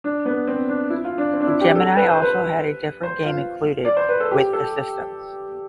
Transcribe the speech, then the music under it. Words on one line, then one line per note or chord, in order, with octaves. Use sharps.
The Gemini also had a different game included with the system.
D4
B3
C4
D4
E4
F4
D4
C4
D4
E4
G4
A4
B4
C5
B4
C5
F4
D5
C5
B4
A4
G4
A4